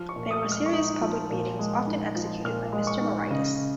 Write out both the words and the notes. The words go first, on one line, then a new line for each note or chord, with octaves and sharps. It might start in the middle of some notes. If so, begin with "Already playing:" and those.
There were serious public beatings often executed by Mr. Moraitis.
Already playing: F3 F6
C#6
A#2
D#6
G#3
F6
C#6
D#4 D#6
F3
A#2
G#3
D#4
F3
A#2 F6
G#3
C#6
D#4
C#3 D#5